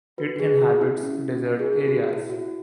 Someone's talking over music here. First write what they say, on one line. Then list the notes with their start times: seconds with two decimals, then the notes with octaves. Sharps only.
It inhabits desert areas.
0.18 F#4 B4
0.40 G#4
0.61 F#4
0.81 E4
1.03 C#4
1.45 E4
1.59 G#4
1.73 E4
1.88 F#4
2.09 E4
2.30 F#4